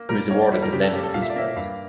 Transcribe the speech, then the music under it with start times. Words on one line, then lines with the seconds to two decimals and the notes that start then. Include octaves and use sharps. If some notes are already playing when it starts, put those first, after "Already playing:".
He was awarded the Lenin Peace Prize.
Already playing: A#3
0.09 G3 A#4
0.30 A#3 C#5
0.41 D5
0.52 G3
0.62 A#4
0.72 C#3 G4
0.83 A4
0.93 A#3 G4
1.03 A4
1.14 A#2 F5
1.22 E5
1.30 D5
1.36 A#3 E5
1.56 G2 F5